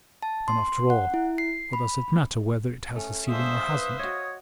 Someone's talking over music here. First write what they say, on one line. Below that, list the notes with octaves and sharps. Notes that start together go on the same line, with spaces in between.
And, after all, what does it matter whether it has a ceiling or hasn't?
A5
C6
F#5
E4
C7
B5
A3 C#4
G#3 D4 C5 E5 F5 D#6
B4
F#4 C#5 D#5